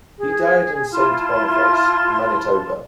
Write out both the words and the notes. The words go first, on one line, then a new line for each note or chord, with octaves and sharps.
He died in Saint Boniface, Manitoba.
G#4
E4 F4 A5 C6